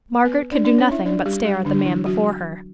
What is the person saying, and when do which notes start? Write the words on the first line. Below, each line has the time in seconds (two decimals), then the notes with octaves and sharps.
Margaret could do nothing but stare at the man before her.
0.25 B3 B4
0.51 D4 D5
0.65 D4 D5
0.78 C#4 C#5
0.91 E4 E5
1.05 D4 D5
1.26 G3 G4
1.45 G3 G4
1.65 D3 D4
1.79 D4
1.85 E3 E4
2.05 F#3 F#4